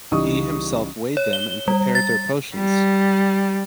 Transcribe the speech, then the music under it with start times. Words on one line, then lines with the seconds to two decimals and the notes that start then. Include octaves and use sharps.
He himself weighed them and prepared their potions.
0.11 C#2 E3 G3 D#4 C#6 D#6
1.17 C#5
1.33 G7
1.68 G3
1.95 A6
2.55 G3